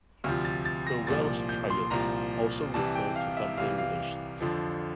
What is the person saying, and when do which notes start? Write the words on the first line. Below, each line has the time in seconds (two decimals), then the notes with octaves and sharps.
The Welsh Triads also refer to family relations.
0.24 D2 C3 F3 F6
0.45 A6
0.65 A6
0.87 A#6
1.07 C2 A#2 F3 A6
1.49 G6
1.70 C6
1.90 C2 A#2 F3 A#5
2.74 C2 C3 E3 A5
2.95 G5
3.16 F5
3.37 E5
3.57 C2 C3 E3 F5
3.78 F5
4.40 F2 D3 F3